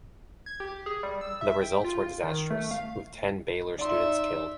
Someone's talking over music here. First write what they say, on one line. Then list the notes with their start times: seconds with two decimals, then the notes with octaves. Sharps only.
The results were disastrous, with ten Baylor students killed.
0.46 G#6
0.60 G4
0.86 G#4
1.03 G3
1.21 E6
1.41 E5
1.62 G5
1.84 F4
2.23 D#3
2.50 A3
2.71 F5
3.79 D#4 D5 E5 C6